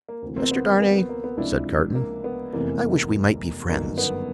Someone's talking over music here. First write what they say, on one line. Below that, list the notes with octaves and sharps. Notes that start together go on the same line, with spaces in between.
"Mr. Darnay," said Carton, "I wish we might be friends."
A#3
D2 C3 E3
A#3 C4
B3
A#3
B3
B3
A#3
B3
C#2 C3 F3 D4 E4
A#3
B3
F1 E2 C3 E3 A#3
G1 F#2 D#3 A#3
B3